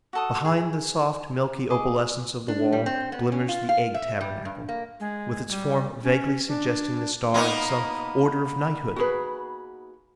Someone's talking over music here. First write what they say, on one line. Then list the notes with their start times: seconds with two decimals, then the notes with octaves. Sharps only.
Behind the soft, milky opalescence of the wall glimmers the egg- tabernacle, with its form vaguely suggesting the star of some order of knighthood.
0.13 F#4 A4 D#6
0.45 G#4
1.70 G#4 D#5 D6
2.48 D4
2.72 G3
2.86 C4
3.12 B3
3.32 C#4
3.48 F4
3.69 F5
3.94 E5
4.21 G3
4.45 G2
4.69 A#3
5.00 G#3
5.50 G3
6.03 C#4
6.48 D4
7.34 A#3 B3 D#4 B5
8.96 F#4 G#4 B4